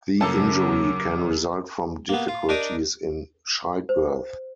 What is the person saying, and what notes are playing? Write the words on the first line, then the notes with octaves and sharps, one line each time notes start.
The injury can result from difficulties in childbirth.
F#2 C#3 F#3 A#3 A4 A5 D6
A#3 B3
F4
D4 D#4 A#4 D6 D#6
C5